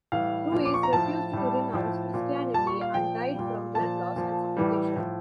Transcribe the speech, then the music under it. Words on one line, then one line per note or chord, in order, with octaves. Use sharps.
Ruiz refused to renounce Christianity and died from blood loss and suffocation.
A2 E3 G3 F5
A#2 F3
D6
C#6
A#5
A2 F3 A5
A2 G3
A2 F3
A#2 F3
A#2 G3 A5
C#6
F5
A#2 F3 G5
A#2 G3
A#2 F3 A5
A#2 F3
A2 E3 G3
A2 F3